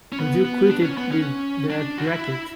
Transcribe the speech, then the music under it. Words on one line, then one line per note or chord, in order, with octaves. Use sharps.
Would you quit it with that racket!
C#4
B3
B3
D4
C#4
B3
C#4
D4
F#4
E4